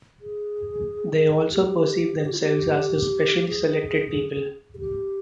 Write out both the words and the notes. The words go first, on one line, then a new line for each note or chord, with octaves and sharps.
They also perceived themselves as a specially selected people.
G#4
G4
G#4
G4
F4
G4
G#4
G#4
G4